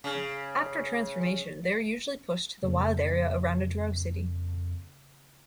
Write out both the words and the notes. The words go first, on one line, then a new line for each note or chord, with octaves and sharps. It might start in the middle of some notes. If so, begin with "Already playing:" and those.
After transformation, they are usually pushed to the wild area around a drow city.
C#3
F2 C#3 A#3